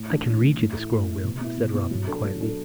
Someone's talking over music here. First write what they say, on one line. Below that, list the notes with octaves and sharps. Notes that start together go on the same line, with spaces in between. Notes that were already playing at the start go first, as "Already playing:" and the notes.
"I can read you the scroll, Will," said Robin, quietly.
Already playing: A2
E3 D4
A2
E3 D4
A2
A3 E4
A2
A3 E4
B2
B3 E4
B2
B3 E4
F#3
D4 A4
F#3
D4 A4